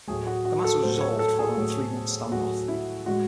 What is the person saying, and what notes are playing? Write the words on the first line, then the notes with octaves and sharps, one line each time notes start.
The matter was resolved following a three-month standoff.
A2 F#3 A3 G#4
F#4
F#4
A4
A2 F#3 A3 C5
C#5
A4
G#4
A2 F#3 A3
A2 F#3 A3 F#4
E4
A2 G#3 F#4